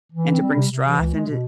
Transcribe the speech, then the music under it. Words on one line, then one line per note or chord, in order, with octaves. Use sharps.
and to bring strife into
E3
C4
G3
C3
C3
E3
C#2
G#3
B2